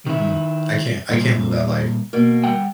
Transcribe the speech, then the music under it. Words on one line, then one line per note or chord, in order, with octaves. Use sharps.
Mm-mm, I can't I can't live that life.
D#3 E4
A#2 G3 A#3
B2 A#3
G3 F#5 G5